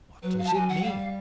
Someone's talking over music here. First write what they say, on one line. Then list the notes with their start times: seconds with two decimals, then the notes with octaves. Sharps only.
What does it mean?
0.23 F#3 B4
0.39 F5
0.46 A5
0.54 F#3 G#5
0.69 F#5
0.84 G3 F5